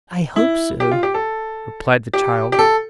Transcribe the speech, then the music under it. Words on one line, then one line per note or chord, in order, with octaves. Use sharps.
'I hope so,' replied the child.
E4
G4
F4
G4
A4
G4
G4
A4